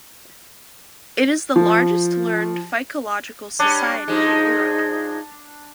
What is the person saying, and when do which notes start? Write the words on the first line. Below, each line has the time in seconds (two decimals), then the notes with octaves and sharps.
It is the largest learned phycological society in Europe.
1.56 F3
3.59 G3 C#4 D4
4.08 F3 G#3 D#4